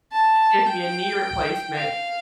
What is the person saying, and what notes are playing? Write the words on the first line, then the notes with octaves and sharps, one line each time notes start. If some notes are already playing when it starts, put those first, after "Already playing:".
give me a knee replacement."
A5
G5
F5